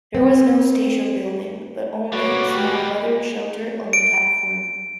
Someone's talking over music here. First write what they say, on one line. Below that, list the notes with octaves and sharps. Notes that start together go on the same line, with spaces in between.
There was no station building, but only a small weather shelter on the platform.
C4
G3 A#3 F#4 B4 C#5 D6
G4
D7